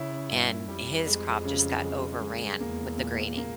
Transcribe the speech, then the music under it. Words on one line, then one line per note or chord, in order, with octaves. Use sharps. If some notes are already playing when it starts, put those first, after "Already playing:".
and his crop just got overran with the greening,
Already playing: C#3 C#4 E4
G2 E4
F2 G3
G#3
C#3
G#3
G#3
E2 A#3
A#2
A#3